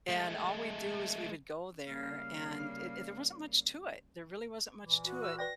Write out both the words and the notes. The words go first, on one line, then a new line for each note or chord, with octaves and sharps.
and all we do is we would go there and it there wasn't much to it there really wasn't much to it,
G#3 A3
C#3 G3 A#3 F5
A#2 E3
F#4
E6
B4 D5 G5 A#6